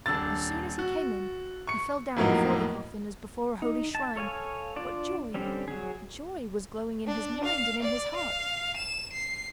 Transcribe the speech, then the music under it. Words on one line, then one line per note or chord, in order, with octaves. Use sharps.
As soon as he came in, he fell down before the coffin as before a holy shrine, but joy, joy was glowing in his mind and in his heart.
D#1 D4 E6 A6
F#4
C#6 C#7
F2 A2 F#3 A#3 B3 D#4
D#4
A5
A4 C#5 F5 G#5
D4 F4 D5
D3 G3 C4 C#4
F#3 G#4
D4
F5
D5
F5
E7
C7